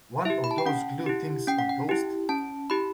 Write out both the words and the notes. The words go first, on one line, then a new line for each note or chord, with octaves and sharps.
One of those glue things on toast?
E4 G4 E5
B5
A5
G5
C#4 F#5
E4 G4
C#4 G5
F#5
G5
E4 G4
C#4 A5
E4 G4 B5